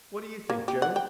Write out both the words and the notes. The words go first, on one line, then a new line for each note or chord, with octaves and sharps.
"What do you think, Joan?"
A#3
G4
F#5
G5